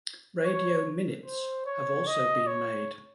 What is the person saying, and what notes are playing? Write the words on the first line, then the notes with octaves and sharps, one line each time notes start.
"Radio minutes" have also been made.
C#5
C5
C#5
D#5
C#5